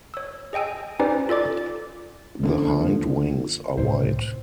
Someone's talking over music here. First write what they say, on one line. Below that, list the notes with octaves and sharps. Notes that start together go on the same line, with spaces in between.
The hindwings are white.
C#5 E6
G#4 D#5 G5 G#5 E6
C#4 D#4 G4 B4 C5 D5
F4 A4 D5 D6
D3 F3 A#3
C#2 A2 C3 C5